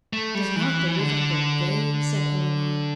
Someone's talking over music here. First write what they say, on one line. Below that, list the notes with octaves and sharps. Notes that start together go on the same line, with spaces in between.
"Does not the river look gay?" said Eleanor.
A3
G3
E3
D3